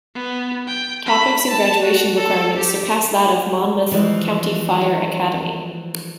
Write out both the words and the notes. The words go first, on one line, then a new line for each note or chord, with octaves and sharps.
Topics and graduation requirements surpass that of Monmouth County Fire Academy.
B3
G5
B5
A5
F#4
A4
G4
E3 F3 G3 G#3